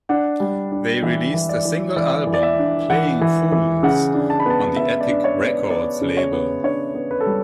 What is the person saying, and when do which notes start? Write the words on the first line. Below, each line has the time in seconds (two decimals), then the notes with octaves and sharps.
They released a single album, "Playing' Foolz" on the Epic Records label.
0.09 D4 F#5
0.40 G3
0.72 D4
1.03 E3 E5
1.34 E3
1.49 D5
1.65 E3
1.96 E3 D5
2.27 E3
2.34 D5
2.43 E5
2.59 D4
2.90 E3 F#5
3.21 E3
3.52 E3
3.83 C#3 F#5
4.14 D4
4.30 A5
4.40 B5
4.46 B3 A5
4.76 B3 E5
5.01 D5
5.08 D4
5.24 C#5
5.39 B3
5.46 D5
5.70 B3 D5
6.01 C#3
6.17 C#5
6.32 B3
6.63 D4 C#5
6.94 B3
7.11 B4
7.20 A4
7.26 G3